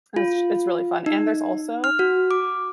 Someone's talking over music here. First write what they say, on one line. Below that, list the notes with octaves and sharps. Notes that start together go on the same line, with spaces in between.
it's it’s really fun, and there's also
F4
D#4
F6
F#4
D6